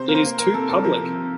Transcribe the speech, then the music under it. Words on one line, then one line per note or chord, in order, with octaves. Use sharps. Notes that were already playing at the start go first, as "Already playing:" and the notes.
It is too public.
Already playing: C3 C5
A#3 A#4
C5
A#3
A#3 A#4
C3 A4
C3 A4
F3 A#4
C3
C3